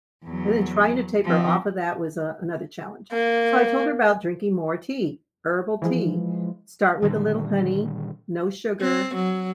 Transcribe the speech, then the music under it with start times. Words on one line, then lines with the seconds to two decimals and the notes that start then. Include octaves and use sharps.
And then trying to taper off of that was, uh, another challenge, so I told her about drinking more tea herbal tea. Start with a little honey, no sugar,
0.24 E2 F#3
1.24 F3 C4
3.12 A#3
5.82 E3 F3 G#3
7.02 A#2 D3 D#3 G3
8.81 C4
9.15 F#3